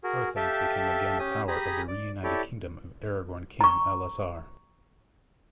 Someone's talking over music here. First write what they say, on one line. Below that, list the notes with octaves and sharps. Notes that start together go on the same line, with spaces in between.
Orthanc became again a tower of the Reunited Kingdom of Aragorn King Elessar.
F#4 G#4 A#4
G4 A4 E5 F5 G5 A5
C#4 G4 G#5 D#6
G4 G#4 G#5 A#5 B5 D#6
D5
E4 G4 A4 C#5 D5
A#5 C#6